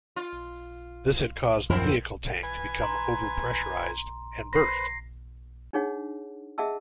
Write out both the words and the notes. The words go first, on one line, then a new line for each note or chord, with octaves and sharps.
This had caused the vehicle tank to become over-pressurized and burst.
F4
D#1 F#2 F3 C4 E4 A#4
B4 G#5
A#5 C6
B4 C5 B5 A#6 C7
D4 D#4 G#4 C#5 F#5
G#4 D#5 E5 F#5 A5 E6